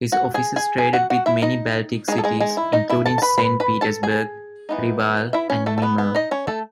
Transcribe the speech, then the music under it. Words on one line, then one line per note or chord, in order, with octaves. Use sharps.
His offices traded with many Baltic cities, including Saint Petersburg, Reval, and Memel.
F#4 F#5
G#4 G#5
G#4 G#5
G#4 G#5
F#4 F#5
F#4 F#5
E4 E5
D#4 D#5
D#3 G#3 D#4 G#4
A4
G#3 G#4
G#3 G#4
E4
D#4 D#5
E4 E5
A4 A5
A5
B4 B5
B4 B5
B4 B5
A4 A5
G#4 G#5
E3 B3 D#4
E4 E5
C#4 C#5
A3 A4
A4
B3 B4
B3 B4
D#4 D#5
C#4 C#5
A3 A4